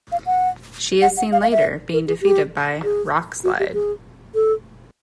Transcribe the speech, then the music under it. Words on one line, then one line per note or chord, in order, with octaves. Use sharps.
She is seen later being defeated by Rockslide.
F5
F#5
F#5
F#5
F5
F5
E5
A#4
G#4
G4
G#4
F#4
G4
G#4
A4